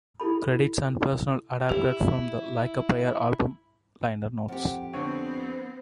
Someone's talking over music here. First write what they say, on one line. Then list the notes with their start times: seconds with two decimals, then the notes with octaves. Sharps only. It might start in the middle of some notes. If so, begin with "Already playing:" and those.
Credits and personnel adapted from "Like a Prayer" album liner notes.
0.20 E4 G4 A4 B5
1.69 E4 G4
4.48 F2 G4 F#5
4.93 D3 B3 C4 C5 C#5